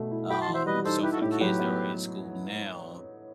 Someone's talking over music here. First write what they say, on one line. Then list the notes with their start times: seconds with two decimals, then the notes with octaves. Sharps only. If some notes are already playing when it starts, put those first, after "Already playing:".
Um, so for the kids that are in school now,
Already playing: B2 A3
0.11 E4
0.30 F#4 G5 B5
0.41 A5 C6
0.48 E3
0.54 C5 E5
0.66 G3 B4 D#5
0.85 D#4 A4 C5
1.03 E4 G4 B4
1.12 F#4 A4
1.22 A2 G4
1.31 F#4 A4
1.40 F#3 G4 B4
1.59 B3